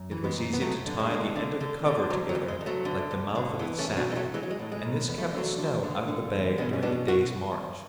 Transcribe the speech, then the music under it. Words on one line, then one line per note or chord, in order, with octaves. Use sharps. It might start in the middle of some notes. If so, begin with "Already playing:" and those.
It was easy to tie the end of the cover together like the mouth of the sack, and this kept the snow out of the bag during the day's march.
Already playing: F#2
E3
G#3 B3
F#2
B3
F#2 F#3 A3
D3
G#3
D3
D3
D3
D3
D2 F#3
F#3
D2
G#3
D2
F#3 A3
D3
D2
D3
E3 G#3 B3
A3 C#4
B1
D4 F#4
E3 G#3
F#3 A3
E3 G#3
F#3
G#3
A2
G#3
B1
E2 B3
A3
G#3
D3 F#3 A3
D3
D3
D3
E2
B2 G#3 B3
C#4
B2 B3 D4
B2 F#4